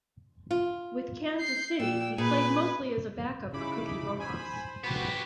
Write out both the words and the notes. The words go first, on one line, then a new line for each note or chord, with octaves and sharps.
With Kansas City, he played mostly as a backup for Cookie Rojas.
F4
G6 C7
A#2 G5 E6
A#2 G#4 B4 G#5
C#3 D#4 E4 B5 D6
C5 G#5 B5
B3 F#4 G4 B4